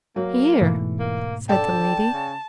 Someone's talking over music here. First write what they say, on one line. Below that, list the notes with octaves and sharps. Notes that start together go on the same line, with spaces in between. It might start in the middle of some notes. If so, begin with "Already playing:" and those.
"Here," said the lady.
F#3 A#3
G#2 B2 E3 A3
A#3
D3 D5 G5 A5
C#3